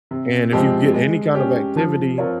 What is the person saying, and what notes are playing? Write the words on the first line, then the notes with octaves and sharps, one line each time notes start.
and if you get any kind of activity
C3
F3 G#3 C4 G4
G#3
C#4 G4
F3
C4 F4 A#4 C#5